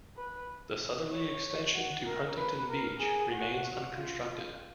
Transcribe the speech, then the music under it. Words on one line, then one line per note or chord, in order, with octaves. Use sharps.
The southerly extension to Huntington Beach remains unconstructed.
B4
C#5
F#4
A#4
B4
A#4
G#4
F#4
F4